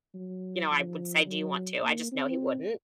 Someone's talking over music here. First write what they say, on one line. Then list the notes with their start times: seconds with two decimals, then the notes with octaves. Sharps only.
you know, I would say, "Do you want to?" I just know he wouldn't.
0.14 F#3
0.71 F3
1.27 F#3
1.83 A#3
2.12 C4